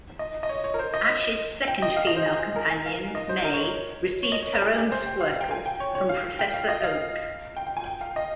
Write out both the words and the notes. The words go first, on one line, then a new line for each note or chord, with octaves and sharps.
Ash's second female companion, May received her own Squirtle from Professor Oak.
D#5
D#5
C#5
C#5
A#4
C5
D#5
G5
D#5
F5
D#5
C5
G#4
A#4
G#5
F5
D#5
C5
A#4
C#5
C#5
C#5
D#5
C#5
A#4
G#4
G4
C5
G5
F5
F5
G5
G#5
G5
C#5
C#5
F5
G5
F5
D#5
F5
G5
G5
G#5
G5
F5
D#5